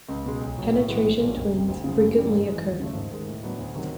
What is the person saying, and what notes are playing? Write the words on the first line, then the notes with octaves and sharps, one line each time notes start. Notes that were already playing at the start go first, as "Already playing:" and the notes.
Penetration twins frequently occur.
C#2
B2 G#3
B1
A#2 F#3
A2
E3 G#3 B3
A#1
A#2 F#3 A3 D4
F#1
F2 C3
D2
C#3 F3
F#2
C#3 E3 G3
G#2
E3 G#3
D#2
C#3 F3 A3
G#2
D#3 G#3
A2
F#3 B3 D4
D2
C3 D#3 F#3